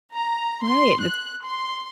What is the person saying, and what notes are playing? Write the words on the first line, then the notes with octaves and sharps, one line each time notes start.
Right. That's
A#5
C6
F#6
C6